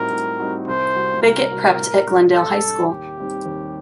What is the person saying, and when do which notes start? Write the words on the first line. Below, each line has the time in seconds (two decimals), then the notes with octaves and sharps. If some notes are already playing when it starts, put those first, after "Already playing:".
Bickett prepped at Glendale High School.
Already playing: A2 G3 C4 D#4 F#4 A#4
0.11 A2
0.39 G3 C4 D#4 F#4
0.68 C2 C5
0.95 C3 G3 C4 F#4
1.22 C2 A#4
1.51 C3 G3 C4 F#4
1.78 A2
2.07 G3 D4
2.34 A2 A4
2.62 G3 D4
2.89 D#2 G4
3.18 D#3 G3 C4
3.46 D#2